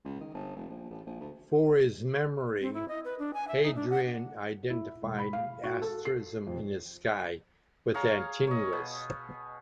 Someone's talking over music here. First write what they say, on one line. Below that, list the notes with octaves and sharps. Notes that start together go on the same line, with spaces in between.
For his memory Hadrian identified an asterism in the sky with Antinous.
C#2
D#3
G1
F1
A#1
A1
A#1
D2
C4
E4
D#5
B4
D4
G#5
E5
D#4
D4
F#5
E4
E1
B5
F5
F#4
A4
C7
F2
G#4 C#5 F5 A#5
C#5 D#5
B2